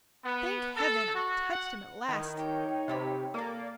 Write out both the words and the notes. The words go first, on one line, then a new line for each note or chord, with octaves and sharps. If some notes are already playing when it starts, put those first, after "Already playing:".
Thank Heaven, I've touched him at last!
B3
A4
F#4
F#5
D#3 E4 B4 E5
D#4 G4 C#5 G5
C3 F4 G4 B5
A#3 A4 D5 D6